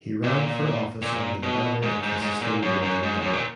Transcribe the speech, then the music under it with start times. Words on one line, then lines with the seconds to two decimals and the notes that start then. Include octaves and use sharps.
He ran for office under the banner of the Sustainability Network.
0.24 A#2
1.02 A#2
1.43 B2
1.82 G#2
2.03 G#2
2.22 G#2
2.42 A#2
2.62 F#2
2.82 F#2
3.03 G#2
3.22 F#2
3.34 A#2